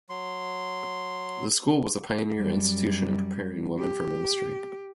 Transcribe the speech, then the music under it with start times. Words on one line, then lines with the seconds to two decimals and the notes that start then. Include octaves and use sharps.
The school was a pioneer institution in preparing women for ministry.
0.09 F#3 C6
2.36 F#2 G3
3.79 G4